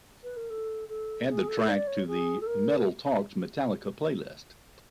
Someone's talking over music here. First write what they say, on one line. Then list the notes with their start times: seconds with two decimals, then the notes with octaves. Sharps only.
Add the track to the Metal Talks Metallica playlist.
0.23 B4
0.36 A#4
0.50 A4
0.88 A4
1.28 G#4
1.47 A4
1.68 D5
1.87 C#5
2.06 G#4
2.40 A4
2.46 A#4